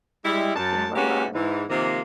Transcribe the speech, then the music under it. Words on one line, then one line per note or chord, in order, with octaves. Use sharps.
They have a lot.
G3 G#3 E4
F#2 A5
G#3 A#3 B3 C#4 F#4 G4
G#2 E3
C3 D#3 F3 A#3